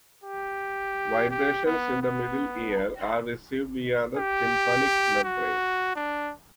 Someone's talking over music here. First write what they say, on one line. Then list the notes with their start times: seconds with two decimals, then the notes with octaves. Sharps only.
Vibrations in the middle ear are received via the tympanic membrane.
0.24 G4
1.30 G4
1.66 B3
2.03 B3
4.17 G4
5.24 F#4
5.96 D4